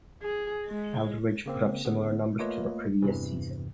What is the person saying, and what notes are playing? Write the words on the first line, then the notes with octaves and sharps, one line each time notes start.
Aldridge put up similar numbers to the previous season.
G#4
G#3
C#3 A#3 C4
D3 B3 G#4
A3 A#3 F4 B4 C#5 D#5
E2 G2 C3 E3